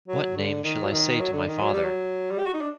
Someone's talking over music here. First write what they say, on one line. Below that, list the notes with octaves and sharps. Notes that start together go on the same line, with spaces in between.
What name shall I say to my father?
F#3
D3
D#3
F#3
D#3
F#3
D3
D#3
F#3
G3
F#3
G3
G4
F#4
D#4
D4